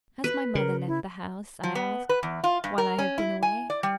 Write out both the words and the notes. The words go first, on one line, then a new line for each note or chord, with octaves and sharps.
"Has my mother left the house," I asked, "while I have been away?"
B4
C#3 A#4
E4
F3
B3
B4
E2
F4
G2
A#4
C#4
E4
G#5
D5
G3